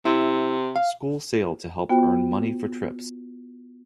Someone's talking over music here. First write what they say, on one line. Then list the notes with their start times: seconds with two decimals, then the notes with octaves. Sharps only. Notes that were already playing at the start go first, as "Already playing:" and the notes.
School sale to help earn money for trips.
0.05 C3 E4
0.76 F5
1.89 B3 F4 F#4 C5 G5